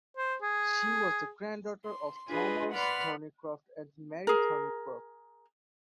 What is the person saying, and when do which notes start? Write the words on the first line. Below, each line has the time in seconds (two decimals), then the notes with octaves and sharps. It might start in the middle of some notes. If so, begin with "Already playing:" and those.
She was the granddaughter of Thomas Thornycroft and Mary Thornycroft.
0.17 C5
0.42 G#4
1.85 C6
2.28 D4 F4 G#4 B4 D#5
2.73 B4 D5 F#5 B5 C6 F6
4.27 G#4 A#4